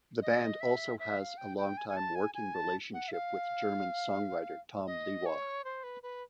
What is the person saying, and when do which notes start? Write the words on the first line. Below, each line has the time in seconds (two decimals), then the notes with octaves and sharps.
The band also has a long-time working relationship with German songwriter Tom Liwa.
0.22 D#5
0.61 E5
0.99 E5
1.19 F5
1.37 G5
1.57 G5
1.77 G#5
1.89 G#5
1.97 A5
2.15 G#5
2.34 G#5
2.54 A5
2.93 F#5
3.08 E5
3.12 F5
4.86 D#5
5.26 C#5
5.64 C5
5.83 B4
6.03 B4